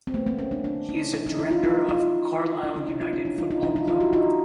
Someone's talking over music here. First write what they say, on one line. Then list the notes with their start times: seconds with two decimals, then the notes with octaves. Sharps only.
He is a director of Carlisle United Football Club.
0.07 C4
0.14 A3 B3
0.26 A#3 C4
0.39 B3 C#4
0.51 C4 D4
0.64 C4 D4
0.89 C#4 D#4
1.13 D4 E4
1.26 C#4 D#4
1.39 D4 E4
1.51 D#4 F4
1.64 D#4 F4
1.89 D#4 F4
2.63 D4 E4
2.76 C#4 D#4
2.88 D4 E4
3.01 D#4 F4
3.13 C#4 D#4
3.25 D4 E4
3.38 D#4 F4
3.51 D#4 F4
3.63 D4 E4
3.76 D#4 F4
3.88 D#4 F4
4.00 E4 F#4
4.13 D#4 F4